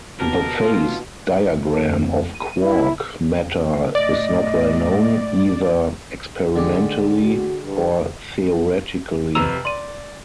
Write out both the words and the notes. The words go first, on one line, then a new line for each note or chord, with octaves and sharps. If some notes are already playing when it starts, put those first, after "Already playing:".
The phase diagram of quark matter is not well known, either experimentally or theoretically.
B2 G4 A#4 A5
F4
A4
F2
D#7
E4
A2 D5 D#5
D3 G#3 G4
F#4
G2
F2 C3 B4 A#5 E6 F7
D5 C6 D#7